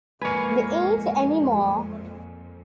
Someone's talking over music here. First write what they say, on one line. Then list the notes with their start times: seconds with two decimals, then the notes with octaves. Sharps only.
There ain't any more.
0.21 F2 A#2 F3 G#3 A#3 B4 G#5 C#6